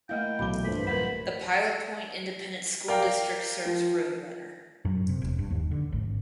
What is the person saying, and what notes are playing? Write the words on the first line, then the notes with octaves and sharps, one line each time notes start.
The Pilot Point Independent School District serves Road Runner.
A3 A#3 E4 D#5 F5 G5
B1 C3 E3 A3 B5 D6 G7
G2 A3 A#3 F4 C5 B5
D1 A#4 B4 F#5 B5
A#4 D5 F5 G5
F3
F#2
C3
E1
G2
D#2
D3
G#1